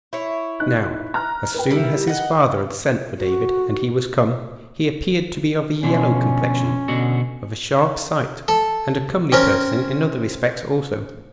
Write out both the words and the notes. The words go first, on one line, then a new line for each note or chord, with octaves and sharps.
Now, as soon as his father had sent for David, and he was come, he appeared to be of a yellow complexion, of a sharp sight, and a comely person in other respects also.
E4 C#5
D#4 F#6
A#5 F6 F#6
A#4 B4 G5
G3 E4
D#5 F#5
F#4
B2 D3 F3 C#4
B2 D3 F#4
A4
C4 C#4 A#4